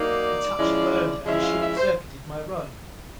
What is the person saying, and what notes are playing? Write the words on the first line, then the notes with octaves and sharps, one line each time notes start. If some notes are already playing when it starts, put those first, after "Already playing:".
The touch burned her, and short-circuited my robe.
Already playing: F#3 A#3 D#4 D5
F3 G#3 C#4 E4
F3 G#3 C#4 E4 E5
F5
E5
C5